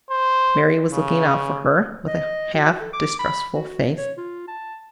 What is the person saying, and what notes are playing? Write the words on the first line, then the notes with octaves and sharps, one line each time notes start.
Mary was looking out for her, with a half-distrustful face.
C5
C#3
D#5
F#4
A4
D6
B5
F#4
C#5
F4
A5